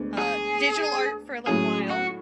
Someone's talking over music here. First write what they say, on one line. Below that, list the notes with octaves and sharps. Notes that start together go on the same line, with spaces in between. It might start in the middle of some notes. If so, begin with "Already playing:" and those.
uh, digital art for a little while.
Already playing: D2 D3 G#3 B3 D4
G#4
A2 F#3 C#4 G#4
F#4